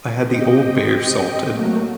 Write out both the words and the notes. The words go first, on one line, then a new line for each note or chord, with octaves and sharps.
I had the old bear salted.
C4 G4 D#5 G5
F#3 A3 A#3 F#4